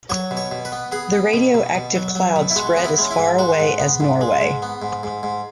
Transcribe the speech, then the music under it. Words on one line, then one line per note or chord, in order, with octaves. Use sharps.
The radioactive cloud spread as far away as Norway.
F#3 C#5
B2
C#5
B2
B4
B3
B3 G#4
B3
B2
B2
B2
F#3
F#3
B2
E4
G#3 F#4
B3 C#4
E4
G#3 C#4
E4
G#2
G#3 F#4
G#2
B3
G#2
G#3
G#2
B3
G#2
G#2
G#2